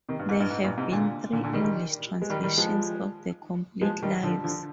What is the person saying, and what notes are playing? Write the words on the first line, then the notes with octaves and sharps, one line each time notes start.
There have been three English translations of the complete "Lives".
C3 D#3
G2
G#2
G2
G#2
G2 A#2
G#2 C3
A#2 D3
A#2 D3
A#2 D3
D#3 G3
D#3 G3
G#3
D#3 G3
D#3 G3
F3 G#3
F3 G#3
D#3 G3
D3 F3
D3 F3